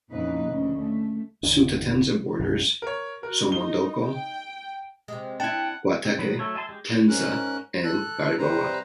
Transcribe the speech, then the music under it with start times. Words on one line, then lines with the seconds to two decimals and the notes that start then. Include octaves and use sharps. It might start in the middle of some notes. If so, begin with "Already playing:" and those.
Sutatenza borders Somondoco, Guateque, Tenza and Garagoa.
0.11 F2 A#2 C#3 E3 D#4 B4
0.47 D2 C#3 F3
0.80 A3
1.43 G1 E2 C3 D4
2.39 B1 F#2
2.82 A#4 C#5
3.23 F#4 A#4
3.52 D#4 G7
4.06 G5
5.08 C3 G#3
5.40 D4 E4 F#5 G5 A5 G#6
6.05 C4
6.19 D#3 F#3 B4
6.39 F#3 A3 A4 C#5
6.55 E5 G#5 A5 C6
6.69 G#3 G4
7.08 G#2 C#4 A#4 F#6
7.83 A4 F#6
8.38 C3 G3 B4 C5 A#5